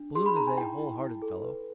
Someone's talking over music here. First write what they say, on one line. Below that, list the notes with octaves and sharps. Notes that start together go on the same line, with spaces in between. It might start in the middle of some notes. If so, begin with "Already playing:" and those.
Balloon is a whole-hearted fellow.
Already playing: D4
G#4 C6
B5
D#4 A#5
G#5
E4 G5
E4
E4
A4
B4